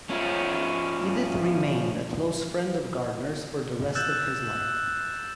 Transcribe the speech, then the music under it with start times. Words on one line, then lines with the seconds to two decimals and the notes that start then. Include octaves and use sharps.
Edith remained a close friend of Gardner's for the rest of his life.
0.10 F3 C#4
3.95 E6 F#6 G6 A6 E7